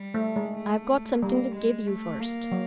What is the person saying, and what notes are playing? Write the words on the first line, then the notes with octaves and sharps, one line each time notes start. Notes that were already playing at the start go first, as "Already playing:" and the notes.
I've got something to give you first.
Already playing: G3
A3
G#3
A3
G3 A#3
G#3
A3
A#3
F#3